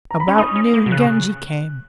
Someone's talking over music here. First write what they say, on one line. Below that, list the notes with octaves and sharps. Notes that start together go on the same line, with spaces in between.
About noon Genji came.
A#5
B5
C#4 C#6
D#4 D#6
C#4
A#3
B2
C#3 F#6